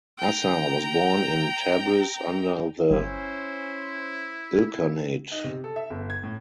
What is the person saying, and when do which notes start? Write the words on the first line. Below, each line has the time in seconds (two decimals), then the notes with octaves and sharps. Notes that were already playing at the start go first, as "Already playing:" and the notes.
Assar was born in Tabriz under the Ilkhanate.
0.18 G5 A#5
2.91 G1 C#4 E4 C5
5.32 D#4
5.44 C3
5.64 A4
5.76 E5
5.90 G1
6.10 G#6
6.23 A2